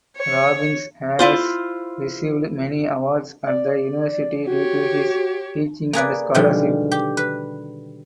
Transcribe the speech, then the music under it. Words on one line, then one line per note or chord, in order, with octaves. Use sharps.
Robbins has received many awards at the university due to his teaching and scholarship.
C#5
E4 F4 C5
D5
F#4 G4 C#5
A#3 G#4 B4 D5
B2 D3 D#3 F3 G3 G#3
G4
B4